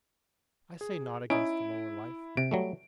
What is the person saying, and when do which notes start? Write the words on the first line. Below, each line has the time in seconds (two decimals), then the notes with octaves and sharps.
I say naught against the lower life.
0.81 G#4
1.30 C#4 D#4 E4 D7
2.37 C3 D7
2.51 F#3 G3 A3